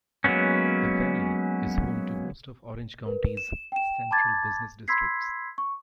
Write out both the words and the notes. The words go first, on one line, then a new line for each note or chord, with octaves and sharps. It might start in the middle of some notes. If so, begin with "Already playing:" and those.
The valley is home to most of Orange County's central business districts.
F#3 G#3 A#3 B3 C#4
A#4 B4
E7
G5 E7
A5 B5 D6 G#6 A6
B5 C6 E6 G#6 B6 C7
C#6